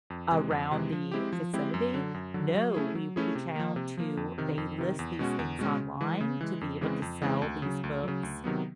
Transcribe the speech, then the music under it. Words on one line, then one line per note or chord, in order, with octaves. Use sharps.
around the vicinity? No. We reach out to They list these things online to be able to sell these books
F2
C3 E3 G#3
F2
C3 E3 G#3
F3
G#3 C4 E4 G4
F3
G#3 C4 E4 G4
F#2
D3 F#3
F#2
D3 F#3
F#3
A3 C#4 E4 G#4
F#3
A3 C#4 E4 G#4
C3
F3 A#3
C3
F3 A#3
F2
C3 D#3
F2
C3 D#3
E2
B2 G#3 C#4 F#4
E2
B2 G#3 C#4 F#4
C#3
E3 G#3
C#3
E3 G#3
F2
C#3 E3 G#3 C4
F2
C#3 E3 G#3 C4
D2
C#3 F#3
D2
C#3 F#3
D2
C3 D#3 F#3 B3